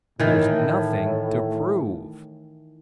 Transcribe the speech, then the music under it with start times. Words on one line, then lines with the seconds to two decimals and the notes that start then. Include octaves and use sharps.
There's nothing to prove.
0.19 A2 D#3 E3